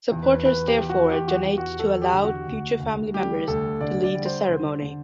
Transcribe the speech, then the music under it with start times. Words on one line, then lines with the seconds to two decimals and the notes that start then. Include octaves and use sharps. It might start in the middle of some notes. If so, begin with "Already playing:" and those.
Supporters therefore donate to allow future family members to lead the ceremony.
0.12 E2
0.23 B4
0.45 E2 B4
0.67 G4
0.79 E2
0.90 F#4
1.12 E2 G4
1.28 F#4
1.35 G4
1.46 E2
1.58 F#4
1.79 E2 A4
2.02 G4
2.13 D3
2.24 F#4
2.47 D2
2.80 D2
3.14 G3 G4
3.48 D2 A4
3.81 D3 D5
4.04 D5
4.15 G3
4.26 C5
4.49 D3
4.82 D3